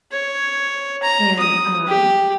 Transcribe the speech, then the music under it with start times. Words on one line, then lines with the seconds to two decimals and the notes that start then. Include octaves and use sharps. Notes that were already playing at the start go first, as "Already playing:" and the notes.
and, um,
0.12 C#5
1.02 A#5
1.39 D#6
1.88 G4